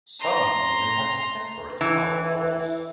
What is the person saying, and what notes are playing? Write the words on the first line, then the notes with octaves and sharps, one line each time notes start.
Some even have separate power cords.
A#5 C6
E3